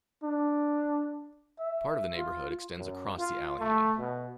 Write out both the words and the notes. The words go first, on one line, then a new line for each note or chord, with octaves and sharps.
Part of the neighborhood extends across the Allegheny.
D4
E5
F4
F#2
F4
A3
B2